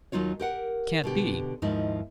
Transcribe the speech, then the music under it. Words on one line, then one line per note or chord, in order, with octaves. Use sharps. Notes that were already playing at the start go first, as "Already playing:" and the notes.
Can't be.
D#2 F#3 D#4 F4 C#5
G4 A#4 F#5
B2 D3 G4
D#2 G#2 F3 D#4 E4